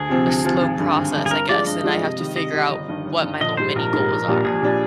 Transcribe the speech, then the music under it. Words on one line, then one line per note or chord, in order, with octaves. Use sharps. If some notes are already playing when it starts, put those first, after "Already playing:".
a slow process, I guess, and I have to figure out w what my little mini goals are.
Already playing: D2 G#4
C3 F3 C4
D2
C3 F3 C4
G#1
G2 D3
G#1
G2 D3
G#4
G2 A#4
F3 G#3 D4 F4 D5
G2 D#5
F3 G#3 D4 F4
C3
D#3 G3
C3 D#5
D#3 G3
G1
G2 D#3
G1
G2 D#3
A#1 D#5
G#2 G3 C5
A#1 A#4
G#2 G3
A#1
A#2 G3 D4
A#1 G#4
A#2 G3 D4